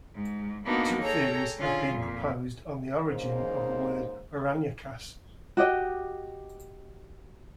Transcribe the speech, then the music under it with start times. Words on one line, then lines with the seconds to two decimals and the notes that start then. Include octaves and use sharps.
Two theories have been proposed on the origin of the word "Aranyakas".
0.15 G#2
0.65 A#3 B3 D4 D#4 F#4
1.01 G#4 A4 C#5 G5 A#5
1.59 D3 C#4 F4 G#4
1.92 F2 A#2
3.09 G#2 C#3 A#3 D#4 C5
5.57 F#4 G4 D#5